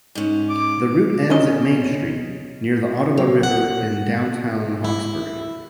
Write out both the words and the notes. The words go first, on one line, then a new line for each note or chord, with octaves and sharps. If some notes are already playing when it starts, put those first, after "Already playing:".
The route ends at Main Street, near the Ottawa River in downtown Hawkesbury.
G#2 C#4
D6
B1 C#4 D#5
F#3
F#5
E4